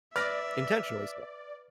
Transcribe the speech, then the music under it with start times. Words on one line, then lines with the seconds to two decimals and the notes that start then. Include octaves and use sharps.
Intentionally so
0.16 B4 D5 E5 F6 A#6